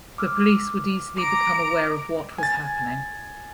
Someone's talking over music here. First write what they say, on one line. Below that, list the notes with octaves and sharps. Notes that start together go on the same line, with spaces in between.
The police would easily become aware of what was happening.
D6 E6 F6
A#5 D6 D7
G#5 A6